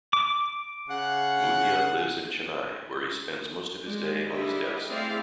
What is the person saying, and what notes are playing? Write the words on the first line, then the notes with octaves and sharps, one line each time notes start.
Muthiah lives in Chennai where he spends most of his day on his desk.
D6
C#3 F#5
G#3 D5
G3 D4 E4 G4 D#5 B5
A3 C4 E4 G#4 D5 F5